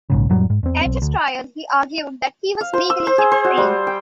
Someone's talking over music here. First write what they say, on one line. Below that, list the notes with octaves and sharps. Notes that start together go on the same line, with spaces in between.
At his trial he argued that he was legally insane.
A#1 G#2 C#3
F2 A2 F#3 G3
G#2
E2 C4
B1 C4
D2
F5
C5
E6
C5
G#4
C5
F#4
G3
G5